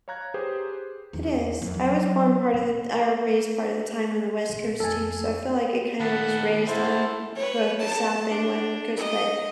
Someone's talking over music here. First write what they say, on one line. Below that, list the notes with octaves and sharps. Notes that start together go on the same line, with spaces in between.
It is. I was born part of the t or raised part of the time on the West Coast too, so I feel like it kinda was raised on b both the South and West Coast, but,
C#5 F5 A#5 F#6 G#6
G4 G#4 B4 C5
E2
F2
F#3
B2
A#1
F2 A4 G#5
D#2 A#2 F#5 A5 B5
E4 C5 E5 F#5 A5
B4 C#5
A5
D4
D#5